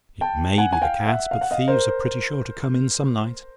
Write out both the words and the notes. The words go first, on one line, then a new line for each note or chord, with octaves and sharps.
Well, it MAY be the cat; but thieves are pretty sure to come in some night.
G5 A5
F#5 G#5
G#5
F5 G5
E5 F#5
F5
F#5
D#5 F5
A#4 C5